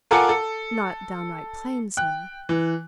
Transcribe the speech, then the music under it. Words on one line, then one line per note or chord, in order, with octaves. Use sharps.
"Not downright plain, sir?"
F4 A4 A#4 F#5 G#5 D6
A4
G5 F#6
E3